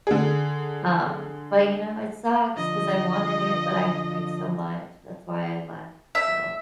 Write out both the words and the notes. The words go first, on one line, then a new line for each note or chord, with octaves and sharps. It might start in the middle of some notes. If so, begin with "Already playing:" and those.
Um, but, you know, it sucks 'cause I wanted it, but I tried so much. That's why I left, so
D3 G#4
D3 F3 D#5
E5